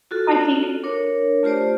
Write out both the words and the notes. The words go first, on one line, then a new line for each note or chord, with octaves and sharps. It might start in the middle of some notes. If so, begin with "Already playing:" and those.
I think
F4 F#4 A4
D4 A#4 C#5
A3 F4 G4 C5 D5